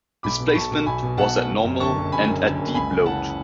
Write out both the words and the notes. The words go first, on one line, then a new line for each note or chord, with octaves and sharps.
Displacement was at normal and at deep load.
B1 B5 D6
B2
B5
B1 A5 C#6
B2
B1 G#5 B5
B2
B1 F#5 A5
B2
F#1
F#2
D3 A5 C#6
F#1
F#1 G#5 B5
F#2
D3
F#1
C#2 G#5 B5
C#3
E3 F#5 A5